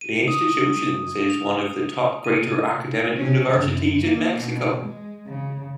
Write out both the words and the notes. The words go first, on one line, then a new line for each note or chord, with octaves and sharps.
The institution is one of the top greater academic universities in Mexico.
D#7
D#6
F7
D#7
C#4
F#2
A#3
B2
G#3
C#3